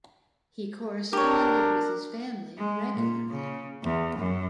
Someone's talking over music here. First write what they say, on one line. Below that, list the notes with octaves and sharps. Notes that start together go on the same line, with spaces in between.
He corresponded with his family regularly.
D4 G4 A#4 C#5
G#3
A#2
C#3
E2
F#2